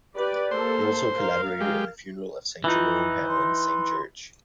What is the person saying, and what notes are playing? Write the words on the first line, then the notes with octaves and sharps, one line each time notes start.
He also collaborated in the "Funeral of Saint Jerome" panel in the same church.
G4 B4 D5
A#3 A4 C5
A#4 F5
G#3 G4
E3 D#4 F4
C6